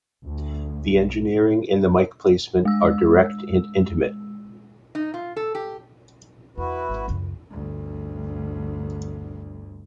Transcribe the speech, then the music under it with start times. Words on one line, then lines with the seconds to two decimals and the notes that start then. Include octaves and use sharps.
The engineering and the mike placement are direct and intimate.
0.24 D2
0.93 B1
2.65 G#3 E6
4.95 D#4
5.14 F4
5.36 A4
5.55 G4
6.57 E2 E4 F#4 B4
6.89 G#1
7.08 C#2 F#2
7.51 G1 D2